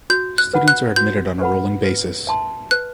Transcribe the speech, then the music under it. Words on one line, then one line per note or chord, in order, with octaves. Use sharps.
Students are admitted on a rolling basis.
F#4 G6
F#6
B4 F#5 B5
F#6
F#4 G6
B4 F#5 B5
B4
E5 A5 C6
B4 F#6